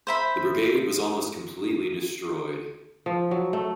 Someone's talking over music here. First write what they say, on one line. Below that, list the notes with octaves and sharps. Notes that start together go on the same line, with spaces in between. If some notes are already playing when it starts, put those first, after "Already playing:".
The brigade was almost completely destroyed.
C5 E5 B5
F3
F#3
A3